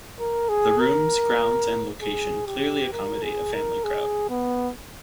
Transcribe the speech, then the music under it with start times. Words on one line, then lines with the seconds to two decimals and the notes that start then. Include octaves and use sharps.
The rooms, grounds and location clearly accommodate a family crowd.
0.19 A#4
0.49 G#4
0.79 A#4
2.02 G#4
2.47 G4
2.93 A#4
3.23 G#4
3.54 A#4
3.84 G#4
4.30 B3